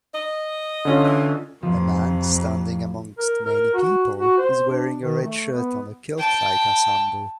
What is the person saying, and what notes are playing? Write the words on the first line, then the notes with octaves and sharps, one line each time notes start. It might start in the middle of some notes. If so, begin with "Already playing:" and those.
A man, standing amongst many people, is wearing a red shirt and a kiltlike ensemble.
D#5
D3 C#4 F4
E3 D#5
F2 C3 F3
A#4
A#4
F#4
F#4
C5
D4
D#3
A3
B3
G5 A5